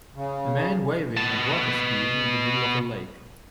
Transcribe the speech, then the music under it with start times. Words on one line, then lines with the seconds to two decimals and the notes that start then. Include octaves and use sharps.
A man waving and waterskiing in the middle of a lake.
0.16 C#3
1.17 B2 A5